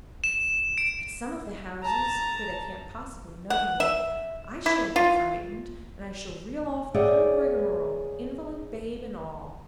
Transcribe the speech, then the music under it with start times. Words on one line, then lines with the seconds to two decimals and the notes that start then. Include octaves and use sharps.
At some of the houses--where they can't possibly know me--I shan't be frightened, and I shall reel off the whole rigmarole, invalid, babe, and all.
0.24 E7
0.78 D7
1.83 A5 A#5
3.50 F#5
3.80 E5
4.66 E4
4.96 F4
6.94 G#4 C#5 D5 E5 F#5 G5